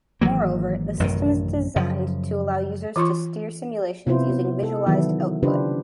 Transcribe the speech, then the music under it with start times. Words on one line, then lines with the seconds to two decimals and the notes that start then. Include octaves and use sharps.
Moreover, the system is designed to allow users to steer simulations using visualised output.
0.21 G#1 E3 F#3 A#3
1.00 A1 F#2 C3 D#3
1.76 F#2 C#3 F3
2.96 E3 F4 C6 C#6
4.07 C3 B3 E4 F4 C5
4.30 B3
4.63 A4
4.87 D#3 E3 F#3 B3 E4
5.43 C#3 D4 F4 G4 B4 C5